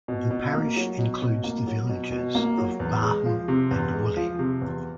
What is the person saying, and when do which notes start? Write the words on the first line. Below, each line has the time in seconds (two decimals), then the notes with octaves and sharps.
The parish includes the villages of Barham and Woolley.
0.08 B2
0.31 B2
0.53 A#3
0.76 F#3
0.99 B2
1.22 B2
1.44 A#3
1.67 F#3
1.89 B2
2.12 B2
2.35 A#3
2.57 F#3
2.80 E2
3.02 G#3
3.25 F3
3.48 C3
3.71 E2
3.93 G#3
4.17 F3
4.39 C3
4.62 E2